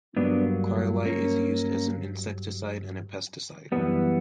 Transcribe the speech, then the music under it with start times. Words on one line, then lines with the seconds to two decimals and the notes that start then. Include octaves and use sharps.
Cryolite is used as an insecticide and a pesticide.
0.17 G2 F#3 A#3 B3 D4
1.05 A#3 C#4
3.72 F#2 E3 G3 B3